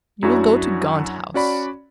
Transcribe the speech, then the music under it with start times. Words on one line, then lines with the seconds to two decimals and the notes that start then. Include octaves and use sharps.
You will go to Gaunt House.
0.23 F#2 F#3 D4 E4 F#4
1.34 C#4 F#4 D5 B5